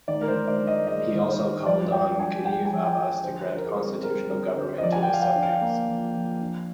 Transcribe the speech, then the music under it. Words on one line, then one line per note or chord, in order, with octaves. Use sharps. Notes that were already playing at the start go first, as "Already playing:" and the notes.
He also called on Khedive Abbas to grant constitutional government to his subjects.
D#3 D5
A#4
C5
D#3
D5
D4
D#5
G#3 D#5
D#3
C5
D#3
F3 D5
F3 G5
D4 G#5
G#3 G5
G#5
F3
G5
F3
D3 C5
D3
A#4
G#4
C4
G3 A#4
D3 A#4
D3 C5
D#5
F3 D5
G#5
G5
F3 F5
G5
D4
F5
A#3
F3
F3
D4